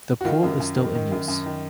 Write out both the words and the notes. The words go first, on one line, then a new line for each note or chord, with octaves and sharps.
The pool is still in use.
F#4
D#3 F4
F#2
F#2
D#3
D#3
F#2
F#2
D#3